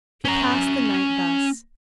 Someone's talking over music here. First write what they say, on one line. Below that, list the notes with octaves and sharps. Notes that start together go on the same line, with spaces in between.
She passed the night thus.
C#4 A#5